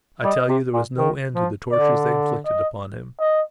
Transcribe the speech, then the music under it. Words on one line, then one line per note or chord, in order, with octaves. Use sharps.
I tell you there was no end to the tortures they inflicted upon him.
G3 D#5
C3
A#2
D#3
F3
D3 D5
D#5
D#5